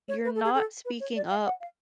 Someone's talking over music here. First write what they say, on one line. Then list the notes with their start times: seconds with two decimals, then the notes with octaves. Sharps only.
you're not speaking up
0.08 C#5
0.24 B4
0.35 A4
0.44 G#4
0.55 A4
0.85 B4
1.00 C#5
1.16 D5
1.30 F5
1.45 F#5
1.60 F5